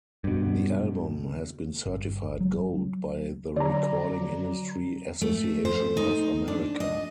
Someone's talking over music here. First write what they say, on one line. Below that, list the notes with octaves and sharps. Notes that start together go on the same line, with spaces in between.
The album has been certified gold by the Recording Industry Association of America.
G2 B2
G1
F#3
D3 F#3 D5 A#5
A3
C5
D#4
D4
D#5